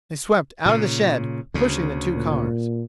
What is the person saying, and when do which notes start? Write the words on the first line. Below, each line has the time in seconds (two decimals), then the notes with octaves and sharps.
They swept out of the shed, pushing the two cars.
0.66 A#2 C#3
1.54 D2 C#3
2.14 A#2